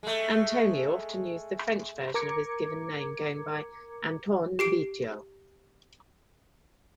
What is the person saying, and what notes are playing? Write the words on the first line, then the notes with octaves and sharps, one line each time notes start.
Antonio often used the French version of his given name, going by Antoine Beato.
G#3 A3
A#4 A#5 D6 G#6 C#7
G4 C7 D7